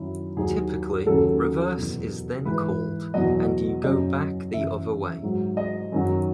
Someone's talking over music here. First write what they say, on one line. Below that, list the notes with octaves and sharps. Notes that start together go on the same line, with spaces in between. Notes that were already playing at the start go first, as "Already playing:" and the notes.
Typically "reverse" is then called and you go back the other way.
Already playing: F#2 D#3 F#3 E4
D#2 D#3 F#3 G#4
D#2 C#3 F#3 A4
E2 B2 F#3
G#2 E3 B4
E2 B2 F#3 D#5
F#2 C#3 F#3 D#5
F#2 C#3 E3 E5
G#2 F#3
D#5
F#2 D#3 F#3